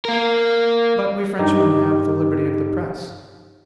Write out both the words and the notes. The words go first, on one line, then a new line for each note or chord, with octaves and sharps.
But we Frenchmen have the liberty of the press.
A#3 A#4
G2 D#4 G4